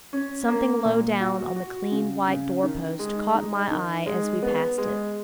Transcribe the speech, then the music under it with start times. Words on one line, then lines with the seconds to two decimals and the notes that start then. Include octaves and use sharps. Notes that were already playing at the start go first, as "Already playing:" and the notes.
Something low down on the clean white door-post caught my eye as we passed it.
0.13 C#4
0.48 A#3
0.85 A#2
1.20 F#4
1.56 F#4
1.92 C#3
2.28 C#3
2.63 D#3
2.99 G#3
3.35 D#4
3.71 D#3
4.06 G#3
4.42 B3
4.78 G#3